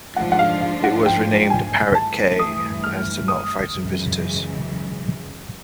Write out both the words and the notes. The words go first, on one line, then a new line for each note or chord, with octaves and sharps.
It was renamed Parrot Cay as to not frighten visitors.
G#2 F3 A3 D4 F4 F#5
F#5
F5
F5
F#5
G5
G#5
G2 E3 A3 A5
D#6
F6
D#6
F#2 C#3 E3 G#3